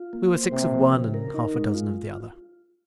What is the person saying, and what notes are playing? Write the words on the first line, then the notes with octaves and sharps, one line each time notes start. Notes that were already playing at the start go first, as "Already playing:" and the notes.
We were six of one and half-a-dozen of the other.
Already playing: F4
A#3
C5
C3 A#3
F3
C#3
A#4
D#4
G#3
F4